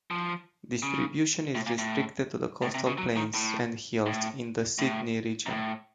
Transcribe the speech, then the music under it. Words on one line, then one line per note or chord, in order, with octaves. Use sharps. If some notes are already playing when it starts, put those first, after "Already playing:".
Distribution is restricted to the coastal plains and hills in the Sydney region.
F3
C#3
A2
A#2
A2
A2
C3
C#3
F#3
D#3
A2
A2
A2
F#2
A2